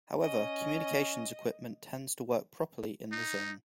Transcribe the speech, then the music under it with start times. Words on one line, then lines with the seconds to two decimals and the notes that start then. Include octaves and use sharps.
However, communications equipment tends to work properly in the zone.
0.21 C#4 D#5
3.12 D#4